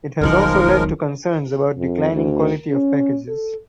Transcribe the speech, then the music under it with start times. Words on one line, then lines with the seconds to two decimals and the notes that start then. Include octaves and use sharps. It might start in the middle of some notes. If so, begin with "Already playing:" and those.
It has also led to concerns about declining quality of packages.
0.21 E1 B1 D#3 F3 G#3 A#4
1.78 F2
2.12 D2
2.72 C#4
3.28 A4